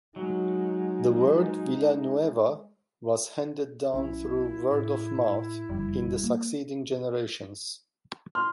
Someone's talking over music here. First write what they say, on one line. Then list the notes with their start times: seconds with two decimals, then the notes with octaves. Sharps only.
The word Villanueva was handed down through word of mouth in the succeeding generations.
0.16 F#3 G#3 D#4
3.94 B1 C#4 E4
4.71 A2
5.69 F#1 F2 D3 G3
6.24 A#3
8.35 C6 F6